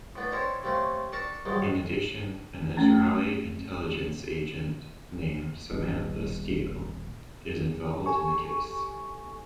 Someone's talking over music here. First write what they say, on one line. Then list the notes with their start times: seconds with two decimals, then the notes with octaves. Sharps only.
In addition, an Israeli intelligence agent named Samantha Steel is involved in the case.
0.16 A2 B3 D4
0.32 C4 D4 E4 A4 A#4 C#5
0.63 C3 A3 A#3 C4 C#4
1.13 D4 A4 A#4 A5 C#6
1.46 A#1 G#2 D#3 F#3 G3
2.77 A3 C#4 A#5
5.71 D#1 A#1 G2 B2
8.06 G4 A4 G#5 C#6